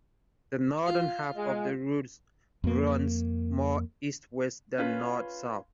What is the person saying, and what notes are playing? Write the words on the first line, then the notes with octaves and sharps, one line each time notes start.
The northern half of the route runs more east-west than north-south.
F4 F5
G#3
F2 A#3
C#4 F4 B4